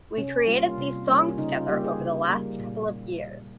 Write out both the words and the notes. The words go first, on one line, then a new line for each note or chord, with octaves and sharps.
We created these songs together over the last couple of years.
C3 C#4
G3 A#3 F4
F4
C3
G3 A#3 C#4
F4
C#3 D#4
F4
G3 A#3 G4
G#4
C#3
G3 A#3
A#2